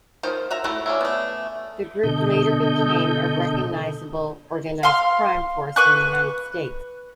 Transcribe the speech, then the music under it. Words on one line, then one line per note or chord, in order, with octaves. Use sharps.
The group later became a recognizable organized crime force in the United States.
D#3 F3 F4 C5
F#4 E5 A#5
A3 E4 F#4
C#4 D4 E4
A3 B3
B2 D3 A4 D#5 G6
F5 C6 F6
B4 C#6 F#6